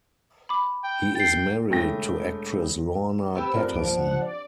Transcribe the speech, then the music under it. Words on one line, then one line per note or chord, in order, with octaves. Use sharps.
He is married to actress Lorna Patterson.
B5 D6
G5
G5 A6 C7
E1 A3 G5 A#6
B3 C4 G4 E6
G2 C4 F4 A4 A#4
C#2 F3 A#3 D7
F#5
D5